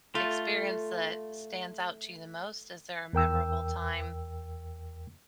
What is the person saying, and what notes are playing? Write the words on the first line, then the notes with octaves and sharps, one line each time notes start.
experience that stands out to you the most? Is there a memorable time
A3 F4
E2 A#4 G5 E6